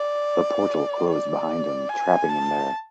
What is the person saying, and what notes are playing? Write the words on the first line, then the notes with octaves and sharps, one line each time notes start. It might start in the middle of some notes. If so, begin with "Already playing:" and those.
The Portal closed behind him, trapping him there.
Already playing: D5
D5
G#5
A5